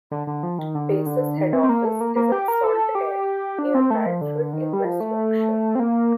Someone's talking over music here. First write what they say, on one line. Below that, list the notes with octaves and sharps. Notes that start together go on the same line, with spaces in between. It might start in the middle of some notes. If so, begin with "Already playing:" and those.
Pace's head office is in Saltaire, near Bradford in West Yorkshire.
D3
D3
F3
D#3
D3
D#3
D3
D#3
C4
C4
A#3
A3
A#3
A#3
G4
A#4
A4
G4
D4
C4
A3
F3
D3
D#3
G3
F3
A3
C4
A#3